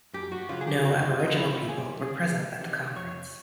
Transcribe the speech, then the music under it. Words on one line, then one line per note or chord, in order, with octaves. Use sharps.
No Aboriginal people were present at the conference.
F#2 G4
F#4
C#3 F#3 F4
G#4
G4
F#2 F#4
F4
C#3 F#3 D#4
F4
E4
D2 F4
G#4
G4
C3 D#3
G#4
D2
C3 D#3
F2 C#5